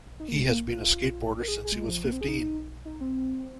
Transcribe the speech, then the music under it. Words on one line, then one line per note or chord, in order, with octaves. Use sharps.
He has been a skateboarder since he was fifteen.
D#4
A#3
G#3
C4
A#3
F4
A#4
G#4
G#4
G#3
F3
A#3
C4
G#4
D#4
D#4
C4